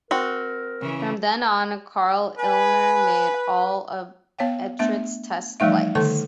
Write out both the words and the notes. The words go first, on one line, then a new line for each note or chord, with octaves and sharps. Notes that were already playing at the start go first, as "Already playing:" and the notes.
From then on, Karl Illner made all of Etrich's test flights.
C4 F#4 A#4
C#3 E3
B4 G#5
B3 C#5 F5 G5
A3 B3 D4 E5
E3 F3 G3 A3 D#4 E5
D3 D#3 A3 A4 A5 C#6